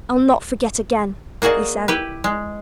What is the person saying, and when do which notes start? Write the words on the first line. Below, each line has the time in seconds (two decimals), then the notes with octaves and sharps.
"I'll not forget again," he said.
1.42 A#3 F#4 G#4 D5 D#5
1.88 E4 G4 B4
2.24 G#3